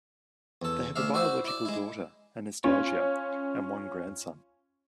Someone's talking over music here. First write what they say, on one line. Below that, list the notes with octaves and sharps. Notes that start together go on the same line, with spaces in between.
They have a biological daughter Anastasia, and one grandson.
E2 A4
D2 D4 E5 F5
E4 F#4 C5 D5 E5
E4 D5
G#3 E4
C#4 F4 C#5